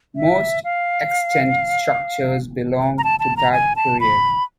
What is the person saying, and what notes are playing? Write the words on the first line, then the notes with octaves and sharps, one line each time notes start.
Most extant structures belong to that period.
E5
F5
A#5
A5
A5
A#5
G#5
A5
B5